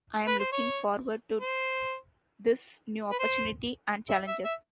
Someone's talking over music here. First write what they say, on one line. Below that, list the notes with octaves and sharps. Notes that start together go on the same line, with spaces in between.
I am looking forward to this new opportunity and challenges.
B4
C5
C#5
C5
B4
C5
E5
E5
E5